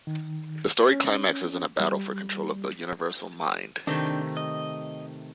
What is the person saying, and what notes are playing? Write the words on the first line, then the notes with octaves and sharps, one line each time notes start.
The story climaxes in a battle for control of the Universal Mind.
D#3
C#4
G3
C3 D#3 A3 D4 G5
D#5